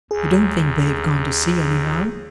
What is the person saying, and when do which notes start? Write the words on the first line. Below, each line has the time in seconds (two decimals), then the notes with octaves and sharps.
You don't think they've gone to sea, anyhow?'
0.11 D#2 G#4